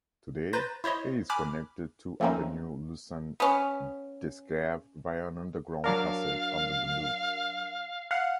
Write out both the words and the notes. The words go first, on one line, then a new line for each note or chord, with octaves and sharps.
Today it is connected to Avenue Lucien-Descaves via an underground passage under the loop.
B4 C5 A#5 G6 A6 A#6
E4 C5 C#5 D#5
G#5 B5 D6 F6 F#6
F3 A3 A#3 C4 C#4 D#4
B3 C#4
F#3 D4 A#4 F5
F5 F#5